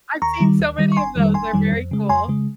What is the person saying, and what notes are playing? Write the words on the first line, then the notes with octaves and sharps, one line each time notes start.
I've seen so many of those, they're very cool.
D#2 A#5 C#6
D#3 G3
D#2
D#3 G3
C#6
G1 G#5 C6
F2 D#3 G3
G1 G#5 C6
F2 D#3 G3
F2
C#3 G#3
F2 G#5 C6
C#3 G#3